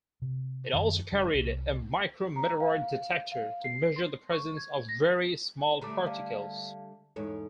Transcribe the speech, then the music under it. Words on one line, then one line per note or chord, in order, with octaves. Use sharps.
It also carried a micrometeoroid detector, to measure the presence of very small particles.
C3
F#2 D#3
F#1 G3 D4
C2
A#5
F5
F5
C7
C6
C#6
G#6
A#6
D3 G3 A3 A#5 D6
D5 F5 A5
E2 G#2 A4 C#5